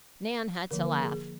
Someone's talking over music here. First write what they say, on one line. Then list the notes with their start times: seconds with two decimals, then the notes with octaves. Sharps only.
Nan had to laugh.
0.71 D3 F3 A#3 A#4
1.02 G#4